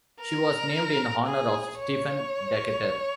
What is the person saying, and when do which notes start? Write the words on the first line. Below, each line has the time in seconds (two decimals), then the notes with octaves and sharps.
She was named in honor of Stephen Decatur.
0.20 A#4
1.26 G#4
1.79 C#5